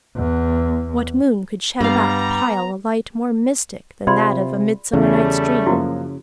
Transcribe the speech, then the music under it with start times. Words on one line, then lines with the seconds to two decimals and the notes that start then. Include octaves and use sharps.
What moon could shed about the pile a light more mystic than that of "A Midsummer Night's Dream"?
0.16 E2
1.80 G2 G3 B3 F5 A#5
4.07 C3 F4 G#4 D5 B5 C6
4.93 E2 C#3 G3 A3 C#4
5.66 F#2 F3 A#3 E4 F#4